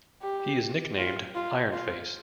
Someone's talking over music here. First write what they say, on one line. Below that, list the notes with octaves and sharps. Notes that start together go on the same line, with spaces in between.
He is nicknamed "Iron Face".
G4
F4
F4
F4